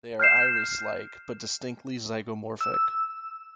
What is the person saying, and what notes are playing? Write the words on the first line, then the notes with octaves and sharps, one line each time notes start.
They are iris-like but distinctly zygomorphic.
F6 G6 C7 E7
E6